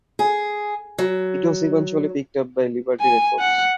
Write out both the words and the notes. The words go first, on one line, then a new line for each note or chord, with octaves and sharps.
It was eventually picked up by Liberty Records.
G#4
F#3
G#5
F#5